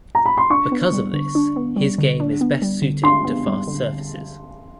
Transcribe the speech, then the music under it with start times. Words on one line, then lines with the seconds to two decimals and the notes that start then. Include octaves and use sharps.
Because of this, his game is best suited to fast surfaces.
0.15 A#5
0.26 B5
0.37 C6
0.50 D4 C#6
0.72 B3
0.93 G3
1.13 D3
1.35 D4
1.56 B3
1.76 G3
1.98 D3
2.20 D4
2.41 B3
2.62 G3
2.82 D3
3.03 D4 C6
3.24 B3
3.47 G3
3.67 D3